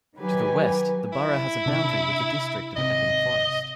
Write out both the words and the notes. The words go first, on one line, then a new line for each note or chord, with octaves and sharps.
To the west the borough has a boundary with the district of Epping Forest.
D#3 F#3 G4 B4 G#5
E4
C3 D4
G#1 C3 D#5